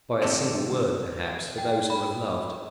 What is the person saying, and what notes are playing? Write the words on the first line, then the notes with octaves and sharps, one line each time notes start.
By a single word, perhaps, for those who have loved.
D3 D#3 C4 G4 A4 D5
G5
B5